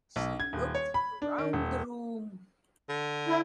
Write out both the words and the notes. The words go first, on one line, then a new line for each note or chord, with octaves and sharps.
She looked round the room.
B1
G#6
D#1
C#5
B5
D4
D#3
E1
D3
E4